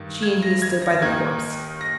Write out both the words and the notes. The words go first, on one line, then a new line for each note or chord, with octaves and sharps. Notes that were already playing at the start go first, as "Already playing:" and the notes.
She and he stood by the corpse.
Already playing: G2 D#3
G#6
A#6
G#6
A#6
D#2 D#3 G#6
A#6